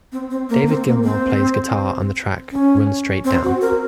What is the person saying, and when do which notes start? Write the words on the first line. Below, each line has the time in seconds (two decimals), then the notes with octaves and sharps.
David Gilmour plays guitar on the track Run Straight Down.
0.12 C4
0.30 C4
0.49 A#3
0.67 C4
0.86 A#3
1.04 C4
2.51 C#4
3.24 C4
3.43 F#4
3.61 A#4